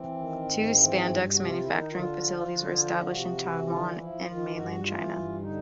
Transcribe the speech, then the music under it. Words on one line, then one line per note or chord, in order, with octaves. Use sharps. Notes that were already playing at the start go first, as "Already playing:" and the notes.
Two spandex manufacturing facilities were established in Taiwan and mainland China.
Already playing: E3 C4
D#3
G#2
E3
G2
C3 F#4
F4
D#3 E4
D#4
D3 F4
F3
D3
F3
C3 F#4
E3
D3 F4
F3 E4
D#3 F4
G2 F#4
E3 F4
G2
D3 D#4